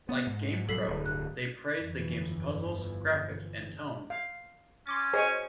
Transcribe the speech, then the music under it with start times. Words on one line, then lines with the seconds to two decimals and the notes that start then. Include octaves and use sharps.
Like "GamePro", they praised the game's puzzles, graphics, and tone.
0.09 B3
0.27 G#2
0.69 A2 F#3 G3 A4 B6 C7
0.87 D1 G2
1.06 F#6
1.76 G1 F2 E3 F3
4.10 F5
4.87 C#4 C6 D6 A6
5.13 G#4 C5 C#5 D#5 G#5